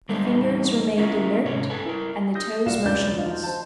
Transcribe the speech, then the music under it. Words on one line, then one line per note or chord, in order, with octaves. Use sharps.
The fingers remained inert, and the toes motionless.
G3 G#3 B3 D4 C5
E2 G3 D#4 D#5
A3 C#4 E4 F4 A#4 E5
G#2 C3 C#4 C#5
A4 B4 G#5
E4 A#4
D#6 G6 A#6
C2 F#4 D5 F5 E7
E1 C#2 A2 D5 G6 A6
F3 D#4 F4 F#4
C5 A5